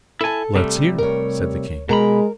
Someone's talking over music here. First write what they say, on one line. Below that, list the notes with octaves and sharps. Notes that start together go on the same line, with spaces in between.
"Let's hear," said the king.
E4 A4 G#5 A5
C3 G3 A3
A#4 C#5
B2 G#3 A#4 A#5 B5